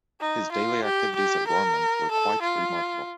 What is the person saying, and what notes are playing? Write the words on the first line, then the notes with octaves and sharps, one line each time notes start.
His daily activities at Roermond were quite remarkable.
D#4
F4
G4
G4
A#4
A4
F4